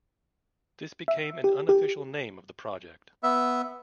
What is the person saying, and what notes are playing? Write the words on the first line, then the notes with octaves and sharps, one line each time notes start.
This became an unofficial name of the project.
E5
G4
G4
B3 E5